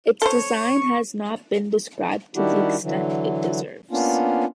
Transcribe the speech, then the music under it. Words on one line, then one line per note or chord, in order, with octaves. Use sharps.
Its design has not been described to the extent it deserves.
A4 C5 C#5
C#6
D#3 G3 D4 E4 F#4 G4
D3 E3 F#3
A#3 B3 C#4 D4 F4